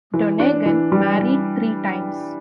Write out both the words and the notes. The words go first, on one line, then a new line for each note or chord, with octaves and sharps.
Donegan married three times.
E3
D4
E3
G3
E3